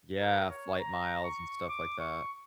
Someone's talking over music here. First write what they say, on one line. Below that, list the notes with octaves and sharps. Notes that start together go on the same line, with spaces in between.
Yeah, flight miles and stuff like that.
A#4
C#5
A#5
C#6
D6
C#6